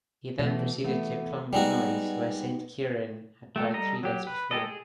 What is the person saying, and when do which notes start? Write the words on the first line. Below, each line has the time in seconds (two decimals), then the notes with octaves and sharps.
He then proceeded to Clonmacnoise, where Saint Cieran had died three days before.
0.39 B2 E3 A3
0.84 E3 A3 B3
1.53 G3 G#3 B3 D#4 F#4
3.56 A3 G4 A4
3.74 G3 A4 D#5 A#5
4.03 F#3 G4
4.27 B4
4.51 G#3 G4 A4 D#5
4.66 G#4